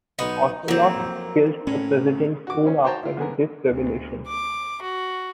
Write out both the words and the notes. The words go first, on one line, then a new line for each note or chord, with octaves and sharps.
Ocelot kills the President soon after this revelation.
B1 B3 D#4 C#6
F2 F#3 A#3 C4
A2 C#4
F#4 D6
C4 C#4
F#4 C5 C#5 G5 A5 A#5
E4 F4
D3 B3 G#4 A#4
D2
D6
F#4